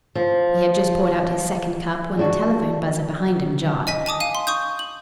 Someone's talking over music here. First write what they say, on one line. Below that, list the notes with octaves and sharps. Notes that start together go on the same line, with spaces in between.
He had just poured out his second cup, when the telephone buzzer behind him jarred.
F3
G#3 D4 F#4
D#5 G#5 B6
G#5 A5 D6 D#6
F5 D#7
C6
C#6 D#6 G6
F#7